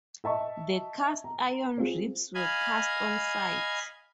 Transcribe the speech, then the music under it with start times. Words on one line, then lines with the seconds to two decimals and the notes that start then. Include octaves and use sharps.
The cast iron ribs were cast on site.
0.24 D#5 E5 A5 C#6
1.24 A#5
1.78 C4 F4 G#4
2.35 D#5 F5 G#5 B5 G#6